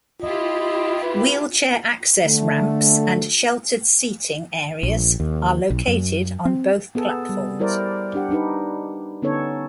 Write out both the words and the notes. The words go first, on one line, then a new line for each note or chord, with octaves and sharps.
Wheelchair access ramps and sheltered seating areas are located on both platforms.
E4 F4 G4 D#5
B4
D3 A3
A#1
D#2
B1
F#2
C4
B3 G#4 A4
G3
G3 E4 G4 A#4 C5 D5
D4 G4 F#5
D4 D#4 G4 B4
D3 B3 C#4 D#4 A4 C#5